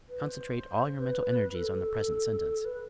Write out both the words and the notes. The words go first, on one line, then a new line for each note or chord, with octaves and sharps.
Concentrate all your mental energies on the present sentence.
B4
C5
B4
A4
B4